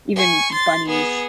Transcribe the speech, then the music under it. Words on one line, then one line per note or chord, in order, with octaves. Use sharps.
even bunnies.
G#5 C#6
C6 A6
B3 G#4